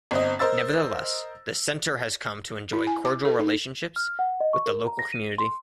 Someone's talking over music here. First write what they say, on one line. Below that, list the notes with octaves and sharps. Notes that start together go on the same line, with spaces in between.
Nevertheless, the centre has come to enjoy cordial relationships with the local community.
G1 C4 D#5
A#4 C5 D#5 E6 A6
E4
G#5
D6
A4
D#4
F6
F#5
D#5
C#6
A#4
A#5
A#6
D#7
C6